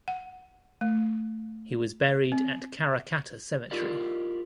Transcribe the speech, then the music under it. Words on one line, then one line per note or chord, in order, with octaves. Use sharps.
He was buried at Karrakatta Cemetery.
F#5
A3
C4
E4 F4 G4 A#4 D5 D#5